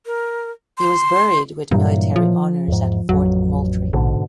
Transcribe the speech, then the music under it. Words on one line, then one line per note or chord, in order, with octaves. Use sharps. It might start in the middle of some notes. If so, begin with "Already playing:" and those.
He was buried with military honors at Fort Moultrie.
A#4
C6
G2 A#2 E3 F#3
F3
E2 G#2
A1 F2 F#3
A#1 G#2 B2 D3